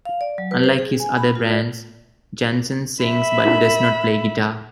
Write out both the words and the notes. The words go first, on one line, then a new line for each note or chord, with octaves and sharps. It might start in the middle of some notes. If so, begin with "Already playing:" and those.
Unlike his other bands, Jansen sings but does not play guitar.
F5
D5
F#3
B4
C5
G#4
G#5
B5
F4
D5
E5 B5